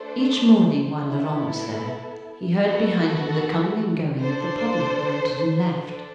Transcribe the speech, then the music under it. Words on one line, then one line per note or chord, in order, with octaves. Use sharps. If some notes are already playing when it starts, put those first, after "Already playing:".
Each morning, while Laurent was there, he heard behind him the coming and going of the public who entered and left.
Already playing: A3 D4 A4 C5
B3 E4 A4
B3 F#4 A4
D4 A4 C5
D4 A4